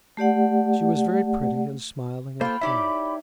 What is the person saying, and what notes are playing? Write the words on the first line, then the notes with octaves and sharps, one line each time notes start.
She was very pretty and smiling and quiet.
A3 G4 D5 F#5
A#3 F4 A4 C5 G5 B5
D#4 E4 G4 C#5 D5 E5